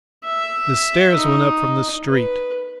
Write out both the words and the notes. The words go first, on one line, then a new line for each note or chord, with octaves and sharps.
The stairs went up from the street.
E5
D#4
B4